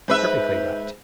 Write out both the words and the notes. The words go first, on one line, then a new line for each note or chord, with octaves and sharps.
Perfectly right.
G#2 B4 E5